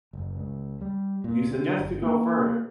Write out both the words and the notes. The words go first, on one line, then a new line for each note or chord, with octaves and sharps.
You suggest to go further.
F#1
C#2
G3
A#2
D3
G1
A#3